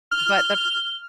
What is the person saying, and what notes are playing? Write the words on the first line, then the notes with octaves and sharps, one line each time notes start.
but the
F6 G7